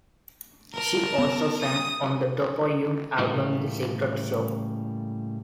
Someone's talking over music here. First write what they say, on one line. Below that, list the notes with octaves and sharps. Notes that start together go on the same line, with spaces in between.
She also sang on the Dopo Yume album "The Secret Show".
A#4 A5
B3
D#6
A2 C#3 E3 G3 A3 A#3